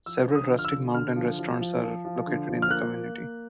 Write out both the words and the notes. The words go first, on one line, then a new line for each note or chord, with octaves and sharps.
Several rustic mountain restaurants are located in the community.
F3 E6
D3
D#6
F3
F6
E6
D3
D3 F6
F3
F3
F3
F3
F3
D3
F3
F6
A#3 F#6
A#3
A#3